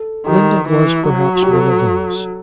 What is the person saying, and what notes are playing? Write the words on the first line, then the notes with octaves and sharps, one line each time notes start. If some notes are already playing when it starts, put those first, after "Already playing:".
Linda was, perhaps, one of those.
Already playing: A4
D#3 G4
E3
F#3 F#4
G4
A4